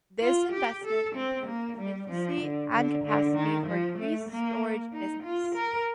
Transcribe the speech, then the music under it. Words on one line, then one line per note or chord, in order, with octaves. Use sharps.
This investment improved efficiency and capacity for increased storage business.
F4
G4
A4
C4
A#3
G3
F3
D3
D3
D3
D#3
F3
A3
A#3
D#4
F4
A#4